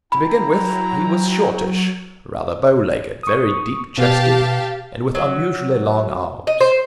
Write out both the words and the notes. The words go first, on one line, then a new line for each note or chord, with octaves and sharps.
To begin with, he was shortish, rather bow-legged, very deep chested, and with unusually long arms.
E4 G5 A#5 B5
F#3
C#6 D#6
B2 B3 G4 F5 A5
F#3
D#5
C5